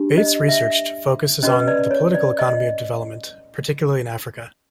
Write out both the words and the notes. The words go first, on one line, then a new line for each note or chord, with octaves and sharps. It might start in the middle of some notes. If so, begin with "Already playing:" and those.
Bates's research focuses on the political economy of development, particularly in Africa.
Already playing: D4 G4
D#5
E5
C#4 F#4 B4 D#5
D5
C#5
D5
D#5